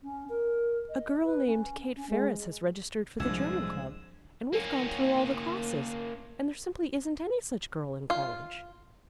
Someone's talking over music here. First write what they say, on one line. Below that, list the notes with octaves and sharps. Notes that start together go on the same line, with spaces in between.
"A girl named Kate Ferris has registered for the German Club, and we've gone through all the classes, and there simply isn't any such girl in college."
C#4
A#4
D#5
B4
C#4
C#4
G#3
C2 A#2 F3 G#3 D4 E6 G#6 E7
A#3 C#4
F4